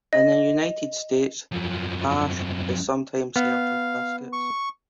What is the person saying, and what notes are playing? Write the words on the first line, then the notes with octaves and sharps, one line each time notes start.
In the United States, hash is sometimes served with biscuits.
D#5
F#2 F3
B3 F5
C#6